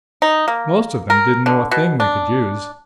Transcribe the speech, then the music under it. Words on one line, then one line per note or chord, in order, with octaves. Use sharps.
Most of them didn't know a thing we could use.
D#4
A#3
A#4
D3
B2
D4